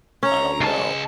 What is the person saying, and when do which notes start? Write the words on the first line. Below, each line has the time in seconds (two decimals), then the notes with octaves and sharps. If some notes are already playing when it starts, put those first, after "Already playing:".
I don't know,
0.23 C#4 C#5 A#5
0.61 C#2 G#3 A5